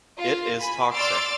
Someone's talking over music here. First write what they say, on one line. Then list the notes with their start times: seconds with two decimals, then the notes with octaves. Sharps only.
It is toxic.
0.18 F4 F5
0.59 G#5 B5
0.94 D5 C6 D6 E6 F6 A6